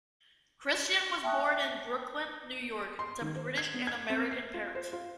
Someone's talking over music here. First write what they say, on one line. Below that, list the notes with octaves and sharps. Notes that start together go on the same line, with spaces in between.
Christian was born in Brooklyn, New York, to British and American parents.
E5 G5 A5 C#6 D#6 F#6
C6
D#3
C5
G#6
B3
G#6
C4
C7
F4
C5
F4